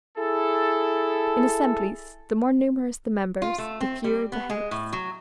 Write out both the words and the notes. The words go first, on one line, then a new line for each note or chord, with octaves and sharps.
In assemblies, the more numerous the members, the fewer the heads.
E4 G#4 A4
F4
A3
C4
G3
B3
G#3
A2
F#3